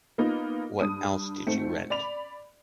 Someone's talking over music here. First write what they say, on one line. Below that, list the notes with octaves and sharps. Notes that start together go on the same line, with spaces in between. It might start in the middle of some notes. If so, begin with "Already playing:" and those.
What else did you rent?
A#3 B3 D#4 F4
G2 D#6 D#7
G#2 A3 C4 C#7
D5 B5 F7